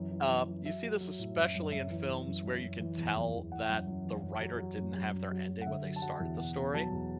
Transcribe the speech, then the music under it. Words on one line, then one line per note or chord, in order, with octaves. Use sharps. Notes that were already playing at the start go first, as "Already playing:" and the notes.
Uh, you see this especially in films where you can tell that the writer didn't have their ending when they started the story.
Already playing: F#2 E3
E3
E3
E3
F#3 E5
F#3
F#3
A2
F#2 E5
F#2
F#2 E5
E3
F#2
F#2
F#2
F#2
E3
E2
E2
E2
E3 F#5
F#2
F#2
E3
F#2
F#3
F#3
F#2
F#3
F#2
F#3
F#3
F#5
D3 E5
F#3
A5
F#3 F#5
E2
B2 F#5
B2
F#3 A5
E2